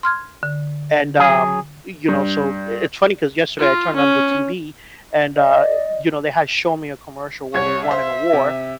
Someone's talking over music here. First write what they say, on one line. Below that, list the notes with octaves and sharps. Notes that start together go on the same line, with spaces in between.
And, um you know, so it's funny 'cause yesterday I turned on the TV and, uh you know, they had shown me a commercial where they won an award,
C6 F6 G#6
D3
F#3 G#4
G2
F4
C#4
D5 D#5
C2 C#5 G#6
C5 E5 F5
C3